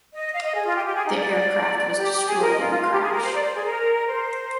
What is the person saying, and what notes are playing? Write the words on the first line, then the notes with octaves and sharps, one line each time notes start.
The aircraft was destroyed in the crash.
D#5
F5
D#5
G#4
F4
G4
G4
G#4
D#4
D5
G4
G4
G#4
A#4
D#5
F4
F4
F4
G4
G#4
A#4
C5
D5
C5
G#4
A#4
C5